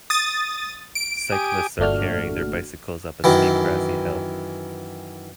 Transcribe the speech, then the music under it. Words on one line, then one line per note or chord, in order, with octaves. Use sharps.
Cyclists are carrying their bicycles up a steep grassy hill.
D#6 A6
D7
G4 G#5 D#6
G1 A#2 A3 D4 F#4 F6
F#2 D#3 E3